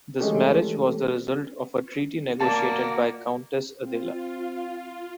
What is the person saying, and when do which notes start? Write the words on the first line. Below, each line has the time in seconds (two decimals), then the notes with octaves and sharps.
This marriage was the result of a treaty negotiated by countess Adela.
0.20 E3 G#3 A3 C#4 G4 A4
2.41 A#3 F#4 D5 A5
3.82 C4 F4